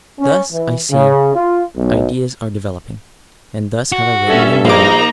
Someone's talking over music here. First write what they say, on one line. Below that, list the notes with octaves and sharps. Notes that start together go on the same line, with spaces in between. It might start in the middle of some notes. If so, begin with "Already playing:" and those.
Thus, I see, ideas are developing, and thus have I written them down.
C#4
E3
C#3
F4
B1
F#4
G2 C#4 A4 E5
A#1 A#3 D#4 A#5 D6